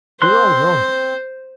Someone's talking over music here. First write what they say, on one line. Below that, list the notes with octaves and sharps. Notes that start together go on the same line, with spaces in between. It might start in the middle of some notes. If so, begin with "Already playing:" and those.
You're all wrong!
C4 C5 C6 F#6